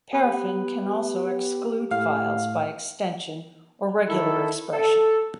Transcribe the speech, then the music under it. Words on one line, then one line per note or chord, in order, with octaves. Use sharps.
Paraffin can also exclude files by extension or regular expression.
B3 G4 B4
A2 F5
D#3 E4 A4
A4